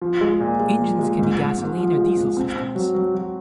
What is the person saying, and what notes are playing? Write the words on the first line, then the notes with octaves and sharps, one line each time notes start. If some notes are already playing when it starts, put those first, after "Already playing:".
Engines can be gasoline or diesel systems.
F3
G#3
A#2
G#3
F3
G#3
G#2
G#2
G#2
F3
G#3
G#2
C4
C4
F#3
F#3
F#3